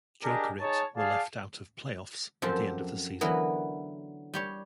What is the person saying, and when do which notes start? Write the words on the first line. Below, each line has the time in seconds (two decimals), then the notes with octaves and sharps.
Jokerit were left out of Play Offs at the end of the season.
0.23 D4 G4 G#4 A#4 D#5
0.60 D#4 G#4 C#5 A5
0.96 G#4 D5 F5 A5
2.42 F#2 F3 C4 G4 A4
3.21 D3 E3 F#3 B3 A#4
4.33 G3 G4 C#5